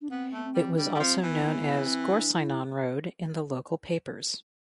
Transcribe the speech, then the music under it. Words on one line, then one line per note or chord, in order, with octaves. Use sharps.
It was also known as Gorseinon Road in the local papers.
D4
B3 C4
A3 B3
C4
G3
G3 D4
G3
F3 C4
E3 B3
B3
C4
D4
E4